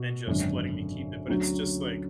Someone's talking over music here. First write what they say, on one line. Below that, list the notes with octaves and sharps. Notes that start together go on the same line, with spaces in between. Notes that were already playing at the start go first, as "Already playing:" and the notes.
and just letting me keep it, but it's just like,
Already playing: B2 F#4
G#1 F#2 D3
D2 D3 F#3 C#4 F#4